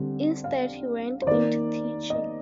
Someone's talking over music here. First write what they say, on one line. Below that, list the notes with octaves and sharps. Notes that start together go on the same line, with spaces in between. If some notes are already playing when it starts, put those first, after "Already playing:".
Instead he went into teaching.
Already playing: D3 G3 C4
F5
C5
D#3 A#3 D5
D#5